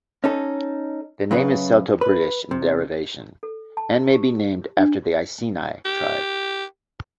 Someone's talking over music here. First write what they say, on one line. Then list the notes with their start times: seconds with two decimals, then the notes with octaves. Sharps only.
The name is Celto-British in derivation, and may be named after the Iceni tribe.
0.24 C#4 D#4 A4
1.31 F#2 C#3 B4
2.01 B4
2.51 C3
3.43 A4
3.77 A5
4.13 G4
4.77 D4
5.85 G4